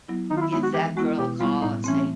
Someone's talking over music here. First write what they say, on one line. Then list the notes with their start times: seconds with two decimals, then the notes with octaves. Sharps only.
give that girl a call and say,
0.08 F#3 B3 E4
0.31 D#3 D#4
0.37 F4
0.41 E4
0.52 G#3 B3 D#4 E4
0.63 F#4
0.74 E3 G4
0.97 G#3 B3 E4 F#4
1.19 B2 G4
1.40 G3 B3 E4 F4
1.62 A2 D#4
1.84 E3 A3 C4 C#4